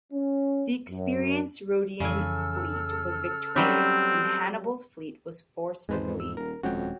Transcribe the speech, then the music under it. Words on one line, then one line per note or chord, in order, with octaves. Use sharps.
The experienced Rhodian fleet was victorious, and Hannibal's fleet was forced to flee.
C#4
F#2
F2 C#3 E3 A4 G#5 E6 F6
F#3 G3 C4 C#4 G4
G#1 E2 G#2 G#3 B4 C5
F2
E6
D#1 A#4
D#1 F2 G#3 C#4 F#4 C#5 G5